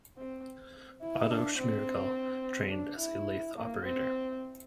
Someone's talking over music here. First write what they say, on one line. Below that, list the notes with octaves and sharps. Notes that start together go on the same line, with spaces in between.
Otto Schmirgal trained as a lathe operator.
C4
E4
D4
C4
D4
E4
A#3
C4